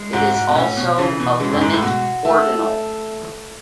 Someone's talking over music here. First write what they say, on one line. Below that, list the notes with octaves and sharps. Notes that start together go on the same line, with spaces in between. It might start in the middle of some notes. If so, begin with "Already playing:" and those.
It is also a limit ordinal.
Already playing: G#3
G#2 F#4
G#2
B2
A2 C#4
B2
C#3 E3
B2
C#3 G#3
F#2
G#2
A2
B2 F#4
A3